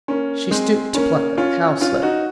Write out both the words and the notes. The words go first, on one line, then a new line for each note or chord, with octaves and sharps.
She stooped to pluck a cowslip.
A#3 C#4
G#3 C4
A#3 C#4
C#4 F4
C#4 F4
D#4 F#4